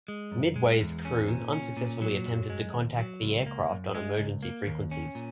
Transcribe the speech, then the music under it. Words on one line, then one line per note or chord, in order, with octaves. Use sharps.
"Midway"s crew unsuccessfully attempted to contact the aircraft on emergency frequencies.
G#3
F#2
G#3
E2
C#4
A#2
C#4
A#2
F#3
F#2
G#3
D#2
F#3
C#2
A#3
F#2
G#3
C#2
A#3
D#2
C#4
A#2